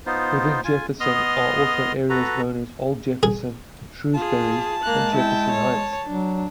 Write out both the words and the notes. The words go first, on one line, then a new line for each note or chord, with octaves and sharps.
Within Jefferson are also areas known as Old Jefferson, Shrewsbury, and Jefferson Heights.
B3 D#4 F4 C5
F4 G#5
B3 D#5 C6 D#6 F6
F#4 A4 B4 A#5
G#4
F4 G#4 A5
G#3 A#3 F#6
E4 G5
C#5
F#3 D4